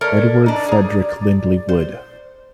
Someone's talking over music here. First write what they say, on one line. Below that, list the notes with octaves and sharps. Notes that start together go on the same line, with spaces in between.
Edward Frederick Lindley Wood.
A3 A#4 C#5 D5
D4 D#4
G#4 A#5
C5